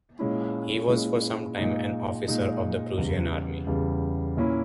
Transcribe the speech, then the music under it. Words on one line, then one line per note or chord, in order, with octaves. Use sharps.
He was for some time an officer of the Prussian army.
A#2 G#3 C#4 E4
A#2 G#3 C#4 E4
A#2 G#3 D#4
A#2 G#3 D#4
E2 C#3 G3
E2 C#3 G3
A#2 A#3 C#4 E4